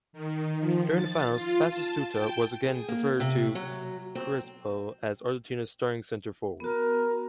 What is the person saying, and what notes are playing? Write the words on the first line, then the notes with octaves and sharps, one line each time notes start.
During the finals, Batistuta was again preferred to Crespo as Argentina's starting centre forward.
D#3
F3
A6
F4
A5
G5
G#4
A#3
C3
F#3
C4
B3 F#4 A#4